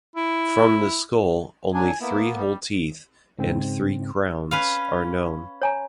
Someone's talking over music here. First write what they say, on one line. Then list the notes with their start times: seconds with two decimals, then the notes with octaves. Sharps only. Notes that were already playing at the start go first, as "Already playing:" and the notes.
From the skull, only three whole teeth and three crowns are known.
0.16 E4
1.74 F#3 D4 G#5
2.01 A#3 B3 E4
2.30 G3
3.39 G#2 C#3 C4
4.51 C#4 B4 F5
5.62 C#5 G#5 A#5